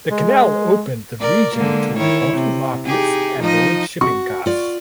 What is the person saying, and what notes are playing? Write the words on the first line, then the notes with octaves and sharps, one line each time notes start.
The canal opened the region to important markets and lowered shipping costs.
G#3
A#4 D5
D3 G#3 A#3
D#3 E4 C#5
C3
D#4 G4 G#4
F3 D#4 D#5
F#4 C#6
F4 D5